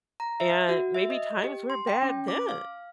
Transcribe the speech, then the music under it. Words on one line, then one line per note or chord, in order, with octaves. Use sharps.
And maybe times were bad then,
A#5
E5
F#4
E5
D#5
G4
C6
G5
C#4
D6
F5